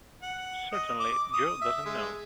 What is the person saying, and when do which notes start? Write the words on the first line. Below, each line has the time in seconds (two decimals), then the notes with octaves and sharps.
Certainly Jo doesn't know.
0.22 F#5
0.73 D#5
1.00 D6
1.33 D#6
1.61 E5
1.86 G#3